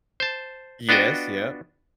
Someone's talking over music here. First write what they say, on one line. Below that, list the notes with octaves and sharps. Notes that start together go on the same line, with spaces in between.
Yes, yep.
C5 A5
B3 D4 F4 F#4 D#5 G5